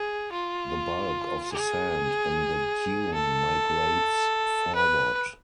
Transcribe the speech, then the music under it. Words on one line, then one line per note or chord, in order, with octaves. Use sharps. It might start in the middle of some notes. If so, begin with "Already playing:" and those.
The bulk of the sand in the dune migrates forward.
Already playing: G#4
F4
G#4
A4
B4